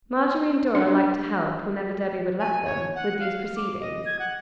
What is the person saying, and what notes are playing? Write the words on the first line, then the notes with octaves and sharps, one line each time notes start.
Marjorie and Dora liked to help, whenever Debby would let them, with these proceedings.
D4
G#5
C#5
F#5
F5
D6
D#5
G#6
F#5